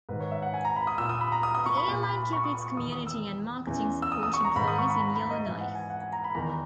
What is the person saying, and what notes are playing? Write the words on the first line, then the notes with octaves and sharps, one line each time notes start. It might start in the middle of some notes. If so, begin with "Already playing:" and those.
The airline kept its community and marketing support employees in Yellowknife.
G#2 D#3 B4
C#5
E5
F#5
G#5
A#5
B5
D#6
A#2 E6
D#6
B5
A#5
D#6
D#6
C#6
B5
A#2
B5
B5
C#6
D#6
C#6
C#6
E2 D#3 D#6
D#6
E6
E2 C#3 E3
E6
D#6
D#6
C#6
A#5
G#2 D#3 B5
D#6
C#6
B5
A#5
B5
D#5
G#2 E3 E5
F#5
G#5
F#5
G#5
A#5
B5
E2 D#3 A#5